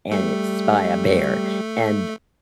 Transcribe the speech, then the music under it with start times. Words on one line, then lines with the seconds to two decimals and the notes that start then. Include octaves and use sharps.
and it's by, uh, Behr, and
0.12 G3 A3